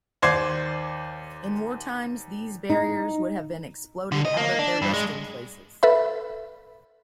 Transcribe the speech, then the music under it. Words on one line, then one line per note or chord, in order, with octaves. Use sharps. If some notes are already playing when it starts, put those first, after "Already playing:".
In war times these barriers would have been exploded out of their resting places.
D#2 C5 D5 D6 G#6 C7
D#4
D3
D#5
A#3
D4
G2
G#3
A4 B4 E5 B5